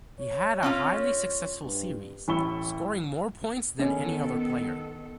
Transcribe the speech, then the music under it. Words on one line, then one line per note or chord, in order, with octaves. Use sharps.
He had a highly successful series, scoring more points than any other player.
C#5
C4 C#4 F4
G2
A1 A2 B5 C#6 E6 G7
D#3 B3 C#4 A4